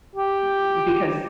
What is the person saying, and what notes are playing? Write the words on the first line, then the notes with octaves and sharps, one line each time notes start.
Mm, because,
G4